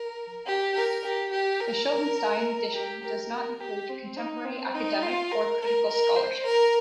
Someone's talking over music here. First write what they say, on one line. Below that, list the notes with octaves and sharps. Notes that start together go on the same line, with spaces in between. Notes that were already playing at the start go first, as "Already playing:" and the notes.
The Schottenstein Edition does not include contemporary academic or critical scholarship.
Already playing: A#4
G4
A#4
G4
G4
A#4
G4
A#4
A#4
G4
C4
D#4
C4
D#4
F4
A#4
A#4
A#4
C5
A#4